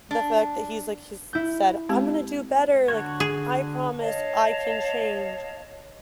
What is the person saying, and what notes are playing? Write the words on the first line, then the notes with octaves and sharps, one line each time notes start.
the fact that he's, like" he's said, "I'm gonna do better. Like, I promise I can change."
D4
E4 G6
G#3 C4 G4
D3 F#4 C#5
G#4
C#5 D#5 F5 A5